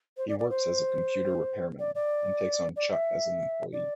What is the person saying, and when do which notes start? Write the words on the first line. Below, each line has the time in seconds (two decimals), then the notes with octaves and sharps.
He works as a computer repairman and takes on Chuck as an employee.
0.17 C5
0.29 D5
0.39 D5
0.50 C5
1.80 D5
1.95 D5
2.76 D5
2.92 E5
3.73 D5